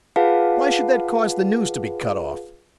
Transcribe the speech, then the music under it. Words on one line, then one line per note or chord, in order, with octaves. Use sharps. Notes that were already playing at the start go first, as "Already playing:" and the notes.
Why should that cause the news to be cut off?
F4 G#4 B4 F5 F#5 A5